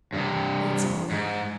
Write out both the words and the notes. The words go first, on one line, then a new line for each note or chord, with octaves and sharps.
That's all.
G2 C3
G#2